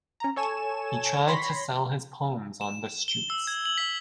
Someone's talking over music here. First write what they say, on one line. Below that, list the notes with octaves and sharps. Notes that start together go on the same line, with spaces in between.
He tried to sell his poems on the streets.
C#4 A#5
A4 C#5 G#5 E7
C#5 B5 C6 A#6 B6
E7
G7
E6
G#6
F#7
B6